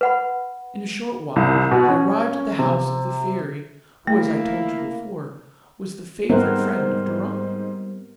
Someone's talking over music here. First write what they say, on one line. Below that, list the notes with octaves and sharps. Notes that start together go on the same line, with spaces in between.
In a short while they arrived at the house of the fairy who, as I told you before, was the favourite friend of Dorani.
B4 F#5 B5
C2
B2
C#4
C3
A3 A#3 E4
G#2 G3 A3 B3 C4 A#4 C5 F#6